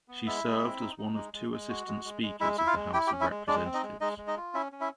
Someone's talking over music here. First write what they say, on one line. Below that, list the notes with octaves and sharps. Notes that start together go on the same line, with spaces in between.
She served as one of two Assistant Speakers of the House of Representatives.
B3
G#3 E4 E5
G#3
C4
D#4
D#4
G#3
G#3
G#3
F#4
G#3
G#3
G#3
G#3 E4 E5
E4 E5
F4 F5
G#3
E4 G4 G5
G4 G5
C#4
E4 E5
G#3
G#3 D4 D5
C4
D#4 D#5
G#3
G#3 D#4 D#5
G#3
D#4 D#5
F4
C#4 E4 E5
C#4
E4 E5